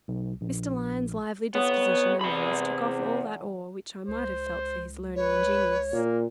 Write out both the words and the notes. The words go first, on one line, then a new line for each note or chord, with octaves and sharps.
Mr. Lyons' lively disposition and manners took off all that awe which I might have felt for his learning and genius.
B1
A#1
F2 B3 C#5
E2 C3 B5
C#2 C5
B4 C#5
A#2 A#3